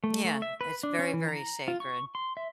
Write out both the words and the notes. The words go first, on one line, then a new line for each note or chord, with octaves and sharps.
Yeah, it's very, very sacred,
A3
A3
E5
B4
D4
C#4
E3
A#5
F4
C#6
C6
E5